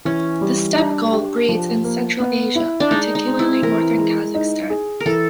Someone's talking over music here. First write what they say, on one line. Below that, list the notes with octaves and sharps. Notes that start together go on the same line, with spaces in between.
The steppe gull breeds in Central Asia, particularly northern Kazakhstan.
E3 C#4
G3
D4
G4
F3
A#3
B3
E4
D4
G#3 D#4
D#4
C4
E4
E3 A#4
G#3
D#4
G#4
A#4
E3 A4